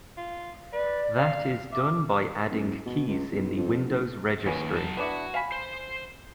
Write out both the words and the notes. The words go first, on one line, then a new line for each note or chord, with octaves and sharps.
That is done by adding keys in the Windows Registry.
F4
B4 D5
F5
E5 D6
F#1
B2
C#2
B1
F2
F#1
D#2 B3 C#4 F#4
F#3 A5
B3 D4 E4 F#4
F5 G#5 B5
C5